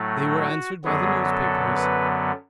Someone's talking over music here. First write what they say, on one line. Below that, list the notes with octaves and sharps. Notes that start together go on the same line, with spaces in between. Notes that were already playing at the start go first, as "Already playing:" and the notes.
They were answered by the newspapers.
Already playing: A2 F#3 A3
F#4
F#2 D3 F#3 B3 G#4
A4
B4